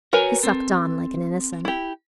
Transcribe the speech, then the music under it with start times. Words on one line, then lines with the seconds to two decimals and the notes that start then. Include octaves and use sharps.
He sucked on like an innocent.
0.13 F#4 A#4 B4 C#5 G#5 A#5
0.43 C4 A4
1.65 E4 G4